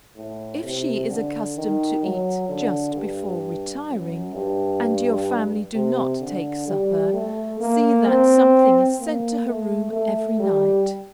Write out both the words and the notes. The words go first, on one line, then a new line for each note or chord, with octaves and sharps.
If she is accustomed to eat just before retiring, and your family do not take supper, see that something is sent to her room every night.
A2
C3
D3
D#3
F#3
D3
G2
F#2
G2
C3
D3
G3
A3
A#3
C4
A#3
A3
A3
G3